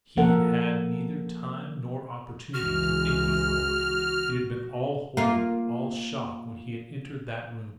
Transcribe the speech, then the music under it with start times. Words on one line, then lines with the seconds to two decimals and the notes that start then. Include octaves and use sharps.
He had had neither time nor opportunity to think before; it had been all horror, all shock when he had entered that room.
0.17 F3 A#3 A4 A#4 F#5
2.54 C#2 E3 G#3 F#4 F6
5.17 A#3 F4